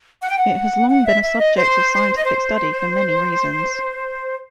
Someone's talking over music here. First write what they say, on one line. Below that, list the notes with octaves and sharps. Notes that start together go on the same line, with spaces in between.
It has long been a subject of scientific study for many reasons.
F#5
G5
F#5
F#5
E5
E5
D#5
C5
D#5
C5